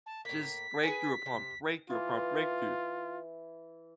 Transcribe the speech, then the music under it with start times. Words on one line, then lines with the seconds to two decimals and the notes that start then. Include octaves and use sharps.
Just breakthrough, upon breakthrough, upon breakthrough.
0.06 A5
0.25 A2 A#3 B6
0.83 G#4 B4 G#5
1.26 C3
1.90 E3 F4